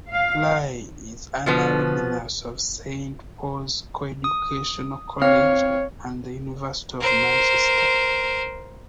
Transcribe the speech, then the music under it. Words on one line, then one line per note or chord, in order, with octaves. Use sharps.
Li is an alumnus of Saint Paul's Co-educational College and the University of Manchester.
F5
B2 F3 B3
D#6
C4 C#5 F5 F6
A#4 C5